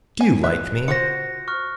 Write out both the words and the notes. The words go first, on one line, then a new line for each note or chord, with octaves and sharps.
"Do you like me?"
G#5
E5 F#6
F4 F#4 C5 A#6 C#7
C#6 F6 F#6